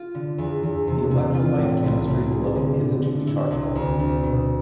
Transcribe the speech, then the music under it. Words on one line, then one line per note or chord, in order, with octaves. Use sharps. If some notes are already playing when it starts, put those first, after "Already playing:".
The electrolyte chemistry below isn't rechargeable.
Already playing: F4
D3
E2
E2
C3
C3
F4
A2
C2
C2
G#4
D3
D3
D3
E4
C2
D2
D2
B2